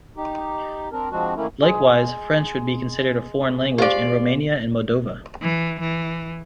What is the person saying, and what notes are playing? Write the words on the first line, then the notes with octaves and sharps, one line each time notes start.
Likewise, French would be considered a foreign language in Romania and Moldova.
D#4 G4
C4 D4 A#4
F3 G#3 C4 D4 F#4
D#3 E3 A3 A#3 C#4 E4
G#3 G#4
F4 G4 C5 D5 F5
E3
E3